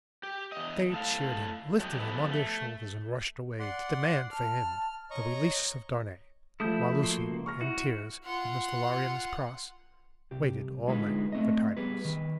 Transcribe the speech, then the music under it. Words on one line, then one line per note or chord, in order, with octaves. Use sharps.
They cheered him, lifted him on their shoulders and rushed away to demand for him the release of Darnay, while Lucie, in tears, with Mr. Lorry and Miss Pross, waited all night for tidings.
G4
E2 D#5
A2 A4 F5
F#3 A3 F#4 G4 D#5
F3 B3 G4 A4 B4
A3
D5 F#5 C6
A5 F6
C#5 D#5 A#5 C#6
F3 A3 E4 D#6 G6
A#3 F#4 C6
C#2
C#6 F6 A#6
E4 F#4
F4 F#5
C2 G4
D3 G#3 D#4 F4 G#4 B4
A3 C4 D#5
G3 B3 G#4 B4
D#3 B4